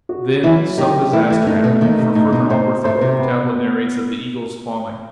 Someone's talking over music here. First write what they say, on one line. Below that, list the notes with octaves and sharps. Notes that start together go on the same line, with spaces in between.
Then some disaster happens, for further onwards the broken tablet narrates that the Eagle is falling.
F#4
E3 F#3 E4
D#3 D#4 G4
E3 A3 E4
E3 E4
C4
D#3 A3 D#4
B2 B3
D#2 D#3 D#4
C3
A2 D#4
B2
A2 A3 C5
A2 A3 C5
C3
B3
B3